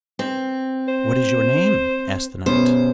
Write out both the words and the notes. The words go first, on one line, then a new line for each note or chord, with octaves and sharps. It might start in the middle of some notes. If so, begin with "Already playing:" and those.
"What is your name?" asked the knight.
C4
C5
B2 B3 C#4 C5